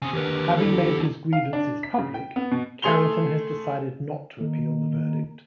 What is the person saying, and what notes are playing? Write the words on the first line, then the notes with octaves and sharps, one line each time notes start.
Having made his grievances public, Carrington has decided not to appeal the verdict.
C#3 C4 G#5 D#6
D#2 D3 G4 A#4 B4
E4 G4 A4
F5
D4
B6
C#3
G5
B3
B2
A3 G#4 C6 F7 G7
D#3 A#3